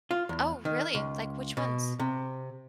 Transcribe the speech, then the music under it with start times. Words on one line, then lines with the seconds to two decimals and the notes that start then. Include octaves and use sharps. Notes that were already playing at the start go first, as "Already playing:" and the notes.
Oh, really? Like, which ones?
0.11 F4
0.29 E2
0.65 D#3
0.95 C#2
1.57 B2
1.99 C3